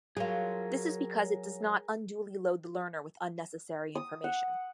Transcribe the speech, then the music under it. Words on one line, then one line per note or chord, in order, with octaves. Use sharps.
This is because it does not unduly load the learner with unnecessary information.
F#3 F4 G#4 A#4
D#6
F#5